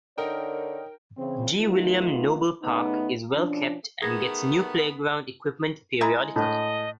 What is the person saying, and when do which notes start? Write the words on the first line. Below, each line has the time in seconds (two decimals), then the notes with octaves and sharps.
G. William Noble Park is well kept and gets new playground equipment periodically.
0.18 D3 D#4 A#4 C#5 G5
1.17 C#3 E3 C4
1.59 D#3 A3 B3 D#4 F4
2.63 C#3 A3 B3 D#4
3.34 B2 F3 C#4 D4
4.02 D#3 A3 B3 G#4 G#6 A#6
6.01 G#3 E4 A#5
6.36 A2 D#5